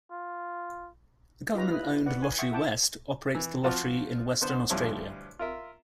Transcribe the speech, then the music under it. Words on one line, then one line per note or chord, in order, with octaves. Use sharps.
The Government owned Lotterywest operates the lottery in Western Australia.
F4
D#4 F4 G4 B4 A#5
E4 B4 D#5
B4 D5 F#5
G#5
E5 F#5 G5 C6 C#6 D#6
E4 A4 F#5 G5 A5 D6
E3
F3 F4 F#4 A5
D3 B3 C5
D2 G2 F3 E4 C#5
F4 A#4 E5